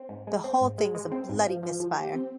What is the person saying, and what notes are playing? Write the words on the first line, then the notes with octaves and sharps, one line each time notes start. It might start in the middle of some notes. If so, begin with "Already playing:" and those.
The whole thing's a bloody misfire.
Already playing: C4
G#2
G#3
C4
G#2
G#3
G#3
C4
G#2
F3
F3
F3
G4
C4